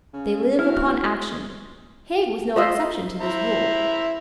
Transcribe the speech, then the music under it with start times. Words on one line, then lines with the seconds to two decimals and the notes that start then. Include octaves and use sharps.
They live upon action. Haig was no exception to this rule.
0.13 C#3
0.59 A#1 E4 F#4 F6
2.56 F4 C5 D#5 E5
3.21 E4 C5 A#5